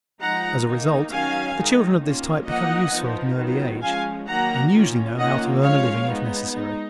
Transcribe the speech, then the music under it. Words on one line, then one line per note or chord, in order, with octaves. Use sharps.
As a result, the children of this type become useful at an early age and usually know how to earn a living if necessary.
F3 G#3 D#4 F#5 A#5
D#3 A#3 D#4
D#3 F#3 C#4 F5 G#5
D#3 G#3 D#4
D#3 A#3 C#4 F4
F3 A#3 D#4 D#5 F#5
F3 B3 D#4
D#3 F#3 B3 F4
F3 G#3 C#4 F5 G#5
D#3 F#3 A#3 F#5 A#5
D#3 A#3 C#4 F4
D#3 A#3 C#4 F4 D#5 F#5
F3 G#3 C#4 F4 C#5 F5
G#3 B3 D#4
G#3 D#4